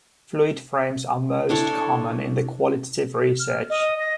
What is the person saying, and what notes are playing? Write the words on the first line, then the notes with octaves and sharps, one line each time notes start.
Fluid frames are most common in the qualitative research.
D4 E4 A4 C#5
F6
D#5
A#6